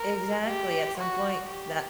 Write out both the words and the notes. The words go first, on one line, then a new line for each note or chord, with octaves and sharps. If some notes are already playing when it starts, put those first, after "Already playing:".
exactly, at some point that
Already playing: A#4
G4
F#4
G4